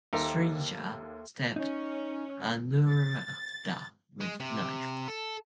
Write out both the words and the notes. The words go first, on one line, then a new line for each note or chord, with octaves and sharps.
Sreeja stabbed Anuradha with knife.
D#2 D#4 G4 A4 A#4 C5 E5
C#4 D#4
A6
G#3
C3
A4